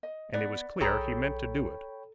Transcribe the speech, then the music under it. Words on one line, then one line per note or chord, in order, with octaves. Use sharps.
And it was clear he meant to do it.
D#5
B3 D5
B1 G#4 A4 C#5 G5 A#5 B5